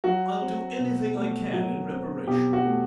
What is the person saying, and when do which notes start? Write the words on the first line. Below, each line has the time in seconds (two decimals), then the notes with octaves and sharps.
I'll do anything I can in reparation.'
0.04 F#3 F#4
0.41 C4
0.78 B2
1.16 A3
1.53 F#3
1.91 C4
2.27 B2 G4
2.53 F#4
2.65 A3